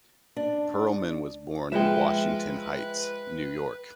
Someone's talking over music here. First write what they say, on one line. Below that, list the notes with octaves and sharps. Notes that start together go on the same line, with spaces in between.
Perlman was born in Washington Heights, New York.
D4
F3 G#3 B4 E5 G5